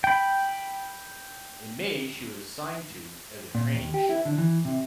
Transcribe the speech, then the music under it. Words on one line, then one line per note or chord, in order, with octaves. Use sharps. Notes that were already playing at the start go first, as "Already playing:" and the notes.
In May she was assigned to as a training ship.
G5 B5
A#2
D#2
G4
E4
D3
E3
C3